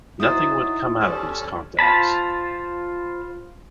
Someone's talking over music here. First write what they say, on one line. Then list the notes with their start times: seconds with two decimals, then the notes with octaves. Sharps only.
Nothing would come out of these contacts.
0.20 F#3 D#4 E4 C5 D#6 A6
1.01 G3 C#4 A4 C5
1.79 F4 C5 A5 B5